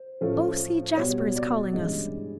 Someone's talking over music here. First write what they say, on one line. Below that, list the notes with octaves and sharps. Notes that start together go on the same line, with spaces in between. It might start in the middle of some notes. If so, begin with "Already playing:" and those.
"Oh, see, Jasper is calling us."
Already playing: C5
A2 F3 A3 C#4
B2 G3 B3 C#5
D5
G2 E3 G#3 C#4 D#5